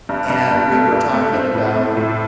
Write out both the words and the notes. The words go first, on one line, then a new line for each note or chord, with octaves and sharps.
and we were talking about
G2
G2
G2
A3
G2
A3
C4
A2
A3
A2